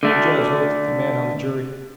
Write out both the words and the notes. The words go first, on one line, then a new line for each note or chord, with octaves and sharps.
The judge looked at the man on the jury.
D3 A3